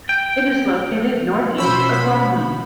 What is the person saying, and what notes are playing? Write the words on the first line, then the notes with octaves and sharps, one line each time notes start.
It is located north east of Bromley.
G5
B2 C#4 C5 B5 E6
B5